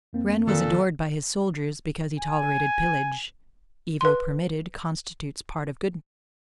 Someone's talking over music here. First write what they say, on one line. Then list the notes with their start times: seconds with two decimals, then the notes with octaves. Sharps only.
Turenne was adored by his soldiers because he tolerated pillage; evil permitted constitutes part of goodness.
0.13 F2 A#3 C4
0.47 A#2 D#3 A4
2.19 G#5
4.01 B4 C6